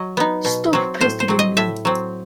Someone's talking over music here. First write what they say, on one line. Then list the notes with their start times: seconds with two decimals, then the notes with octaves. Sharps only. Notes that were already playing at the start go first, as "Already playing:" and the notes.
Stop pestering me!
Already playing: F#3 D#5
0.17 B3 D#4
0.45 B2
0.73 F#3 C4
1.01 A2 C5
1.20 C5
1.28 F#3 C4
1.39 D#5
1.57 A2 E5
1.85 F#3 C4